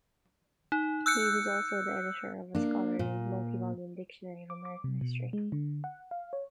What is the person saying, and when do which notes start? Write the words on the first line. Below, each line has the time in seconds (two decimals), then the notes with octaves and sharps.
He was also the editor of a scholarly multi-volume Dictionary of American History.
0.72 D#4
1.06 E6 F#6 G6 C#7
2.55 A#3 D4
2.99 A#2
4.50 D6
4.65 D6
4.84 C3
5.01 B2
5.33 G#3
5.52 D3
5.84 F#5
6.11 F5
6.33 C#5